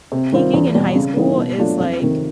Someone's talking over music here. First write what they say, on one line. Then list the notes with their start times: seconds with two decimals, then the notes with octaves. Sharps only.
peaking in high school is, like
0.12 C3
0.32 D#3 G3 C4 F4
0.54 E2
0.75 B2 G3
0.95 C#3
1.17 E3 G3 A#3 D#4
1.37 B2
1.58 F#3 A3 D4 F4
1.80 F2
2.00 C3 D#3